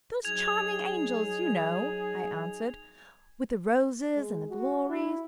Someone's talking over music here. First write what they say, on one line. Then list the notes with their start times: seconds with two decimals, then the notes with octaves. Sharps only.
'Those charming angels, you know,' I answered. 'With the roses and the glories!'
0.25 F#3 D#4 G#4 G#6 F7
4.15 G#3
4.50 F#4
4.89 E4